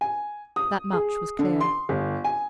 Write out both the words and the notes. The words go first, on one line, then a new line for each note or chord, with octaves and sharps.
That much was clear.
G#5
D#6
G#4
D3
C6
G1
G#5